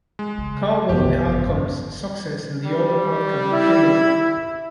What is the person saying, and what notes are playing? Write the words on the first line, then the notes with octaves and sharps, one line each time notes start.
Call one of the outcomes "success" and the other outcome "failure".
G#3
C#3
C2 F#2 A3 B3 G4
G#1 C#2
G3
E4